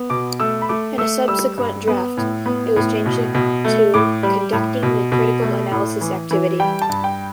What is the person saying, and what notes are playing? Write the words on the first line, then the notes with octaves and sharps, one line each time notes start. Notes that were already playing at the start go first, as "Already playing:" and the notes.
In a subsequent draft, it was changed to "Conducting the Critical Analysis Activity".
Already playing: B3
B2 D6
A3 E6
B5
A3 D6
A3 E6
G3 E6
G2
B3
A2
B3
A2
B2
B2
A3
A2 D6
G3
A2
B2
B2
A3
A2
E3
E3
G3 G5
A5
G2
G5